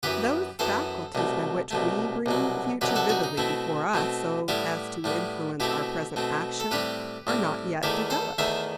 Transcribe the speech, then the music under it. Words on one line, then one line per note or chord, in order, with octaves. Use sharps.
Those faculties by which we bring the future vividly before us so as to influence our present action, are not yet developed.
F#2 E3 B3 G4 B4
F#2 E3 B3 A4 C5
C2 B2 A3
C2 B2 A3
C2 B2 F#3
C2 B2 F#3 G4 B4
F#4 A4
D#4 F#4
D#4
B2 A3 C4 E4
B2 A3 C4
A2 G3 B3 E4 G4
A2 G3 B3
B2 A3 C4 E4 G4
B2 A3 C4
A4
A2 G3 C4 G4 B4
A2 G3 C4
E2 D#3 A3 E4 G4
A4 C5
E2 D#3 A3 C5 E5